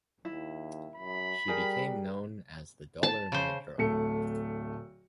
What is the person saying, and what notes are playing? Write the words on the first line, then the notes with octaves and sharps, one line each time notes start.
She became known as the Dollar-a-Minute Girl.
D#2 E4
F#2 B5
G3 G#4 A#4 G5
A5
C#3 C5
D1 A3 C#7